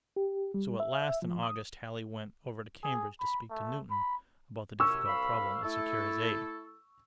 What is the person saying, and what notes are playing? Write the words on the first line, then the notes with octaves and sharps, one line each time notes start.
So at last, in August, Halley went over to Cambridge to speak to Newton about the difficult problem and secure his aid.
G4
G3
E5
E5
F3
D#6
G#4
B5
A3
B5
F#2 C3 C#4 C#6 E6
C2 F5 B5
A3 E4 A4